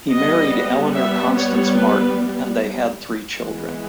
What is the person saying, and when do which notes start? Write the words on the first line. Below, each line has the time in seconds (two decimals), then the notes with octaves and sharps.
He married Elinor Constance Martin and they had three children.
0.12 G3 B3 D#5
0.95 E5
1.36 C#5
1.77 B4
3.40 E3 G#3 B3